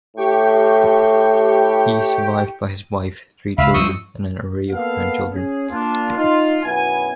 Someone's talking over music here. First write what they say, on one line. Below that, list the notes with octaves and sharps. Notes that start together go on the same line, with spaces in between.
He is survived by his wife, three children and an array of grandchildren.
A2 G4 G5 C#6
C#2 E5 F5 B5
G2 F3 C#6 D#6 E6
A#3 B3 A4 F5
C#4 G#4
A#3 D4 F4
D#4 F4
B1 F#2 B3 E4 G#5